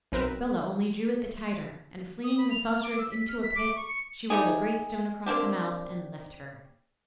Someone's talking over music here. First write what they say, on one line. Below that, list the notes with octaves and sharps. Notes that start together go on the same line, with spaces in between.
Bellah only drew it the tighter, and, flinging the sorceress into a pit, she rolled a great stone across the mouth, and left her.
B1 C4 A#4 B4 E7
D#6
B5
F7
F6
D6
E6
B6
F6
B6
D6
C#6
C#7
A3 D#4 G4 G#4
A#3 C4 D4 G4